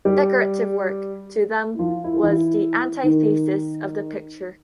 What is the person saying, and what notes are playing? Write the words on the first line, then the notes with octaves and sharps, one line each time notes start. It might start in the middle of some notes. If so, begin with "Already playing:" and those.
Decorative work, to them, was the "antithesis of the picture".
G3 G4
E4
F3 F4
E4
F4
E3 E4
D#3 D#4